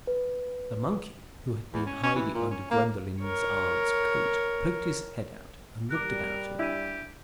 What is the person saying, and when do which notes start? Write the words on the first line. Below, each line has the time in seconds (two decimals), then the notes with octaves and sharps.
The monkey, who had been hiding under Gwendolen's aunt's coat, poked his head out, and looked about him.
0.07 B4
1.73 E2
1.86 C#4
2.03 C#4
2.15 E3
2.34 A#2
2.50 C#4
2.70 A#3
3.22 A#4 C#5
5.91 G3 A#4 D6 F#6
6.59 D4 E4 G4 D#7